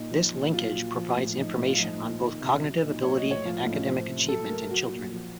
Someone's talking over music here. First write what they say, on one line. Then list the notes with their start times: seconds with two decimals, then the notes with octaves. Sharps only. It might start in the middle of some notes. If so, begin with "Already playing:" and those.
This linkage provides information on both cognitive ability and academic achievement in children.
Already playing: A#2 D#4
0.11 F3
0.32 A#2
0.53 F#3 F4
0.74 A#2
0.94 F3
1.16 A2
1.37 F3 D#4
1.57 A2
1.68 F4
1.78 F3 D#4
1.99 A#2
2.20 D#3
2.41 C3
2.62 F#3
2.82 A#2 D#4
3.03 F#3 C#5
3.17 D#5
3.24 A2
3.31 C#5
3.45 F3 F4
3.59 D#4
3.66 A2
3.73 C#4
3.86 F3 C5
4.07 C3
4.28 F#3 A4
4.49 A2 A#4
4.70 F#3 F#4
4.91 A#2
5.12 F3